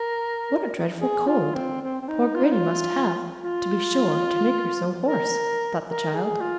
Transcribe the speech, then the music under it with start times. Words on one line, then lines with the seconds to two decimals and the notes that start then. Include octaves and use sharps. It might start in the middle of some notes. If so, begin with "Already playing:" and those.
"What a dreadful cold poor Grannie must have, to be sure, to make her so hoarse," thought the child.
Already playing: A#4
1.01 G#4
1.27 F4
1.54 C4
1.82 C4
2.02 C4
2.08 D#4
2.35 F4
2.44 D#4
2.52 F4
3.44 F4
5.06 A#4
5.87 A#4
6.15 G#4
6.41 F4